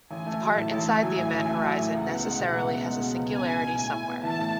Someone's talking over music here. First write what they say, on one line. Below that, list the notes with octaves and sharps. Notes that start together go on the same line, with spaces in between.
The part inside the event horizon necessarily has a singularity somewhere.
A1 G#5
A3
F#3
A2 A5
A1
A3
F#3 G#5
A2
A1
A3
F#3
A2
C#2 F#5
B3
G#3
B2
C#2
B3
G#3
B2
C#2
B3 G#5
G#3
B2
A2
E4
B3
E3 A5
A2